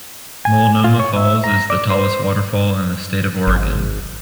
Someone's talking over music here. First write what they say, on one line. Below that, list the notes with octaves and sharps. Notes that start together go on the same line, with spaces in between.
Multnomah Falls is the tallest waterfall in the state of Oregon.
G#5
F4
C#5
E5
A#5
D5
C5
G#1